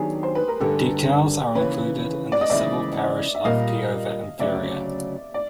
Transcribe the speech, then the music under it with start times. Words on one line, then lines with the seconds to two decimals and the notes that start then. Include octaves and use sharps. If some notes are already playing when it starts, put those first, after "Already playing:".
Details are included in the civil parish of Peover Inferior.
Already playing: D#3 F#3 B3 D4 G4 G#4
0.23 C5
0.35 B4
0.48 A#4
0.60 G2 D3 G3 G4 A4
1.55 D#2 C#3 E3 B4 C#5
2.32 D5
2.41 D#5
2.50 D#2 C#3 E3 G#3 C4 D5 E5
3.35 E5
3.44 A#2 G3 A#3 D#5 F5
4.39 D2 C#3 F#3 D5 E5
5.34 D5